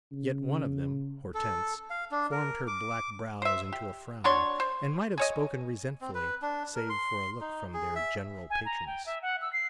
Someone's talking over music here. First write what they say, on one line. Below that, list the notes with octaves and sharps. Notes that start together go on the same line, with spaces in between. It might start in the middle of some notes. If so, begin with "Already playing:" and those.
Yet one of them--Hortense--formed her black brows into a frown, and might have spoken resentfully, save for a look from their general patroness.
C#3
A4
F5
D4
A#4
D6
C5 E5
G4
F#3 D4 C#5 C6
C5
G#4 C#5 D#5
C4
B4
D4
A#4
C6
D#4
G#4
E5
G#5
A#5
G5
E5
F#5
E6
C7